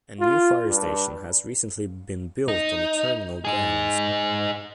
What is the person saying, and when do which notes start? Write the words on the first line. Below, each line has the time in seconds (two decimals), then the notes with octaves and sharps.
A new fire station has recently been built on the terminal grounds.
0.20 F4
0.68 G2
2.48 D#4
3.45 D#4 G#4